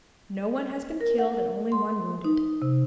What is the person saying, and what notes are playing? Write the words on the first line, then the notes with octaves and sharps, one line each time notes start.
No one has been killed and only one wounded.
A#4
F#5
C6
D#4
C3